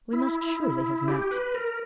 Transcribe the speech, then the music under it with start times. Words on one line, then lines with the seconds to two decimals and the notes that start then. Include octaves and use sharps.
'We must surely have met.
0.13 E4
1.08 G4
1.31 B4
1.54 A#4